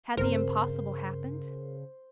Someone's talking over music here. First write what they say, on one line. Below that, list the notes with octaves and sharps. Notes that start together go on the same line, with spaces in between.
Had the impossible happened?
G2 C#3 C4 A#4 C5